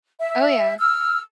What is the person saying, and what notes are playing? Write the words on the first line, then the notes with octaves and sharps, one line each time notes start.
Oh yeah.
E5
E6 F6